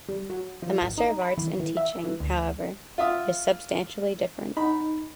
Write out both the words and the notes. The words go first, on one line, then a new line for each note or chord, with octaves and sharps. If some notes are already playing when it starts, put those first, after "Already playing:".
The Master of Arts in Teaching, however, is substantially different.
G3
F#3
F3
A1
D#4
B5
E3
E3
E5
E3
D2
F4 E5 D#6
D#4 B5